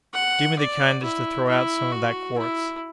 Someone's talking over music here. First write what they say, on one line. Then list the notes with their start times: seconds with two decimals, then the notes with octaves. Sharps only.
"Do me the kindness to throw out some of that quartz!"
0.14 F#5
0.59 D5
1.03 E4
1.49 E4
1.92 F#4
2.38 E4